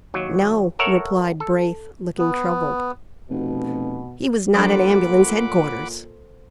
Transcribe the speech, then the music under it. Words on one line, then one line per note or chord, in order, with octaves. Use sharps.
"No," replied Braith, looking troubled, "he was not at Ambulance Headquarters."
D#2 F#3
A4 A#4 C#5 E5 F#5
A4
B3
F1 B2
A#2 F#3 D4 A4 C5 F#5 B5 D6